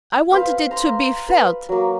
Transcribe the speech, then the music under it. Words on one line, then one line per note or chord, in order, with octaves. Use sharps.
I wanted it to be felt....
B4 C5 F5
A#5 C6
B4
F#3 A#3